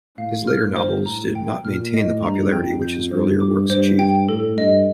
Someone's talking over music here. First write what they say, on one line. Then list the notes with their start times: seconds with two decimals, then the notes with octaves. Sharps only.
His later novels did not maintain the popularity which his earlier works achieved.
0.18 A2 F5
0.47 F6
0.76 G2 C5
1.05 A2 A#5
1.35 G5
1.65 A#2 F6
1.93 A2 D#5
2.23 G2 A#5
2.52 F2 G5
2.82 G6
3.11 G2 C5
3.40 D6
3.69 G2 C5
3.99 G5
4.28 A2 A4
4.57 G2 D#5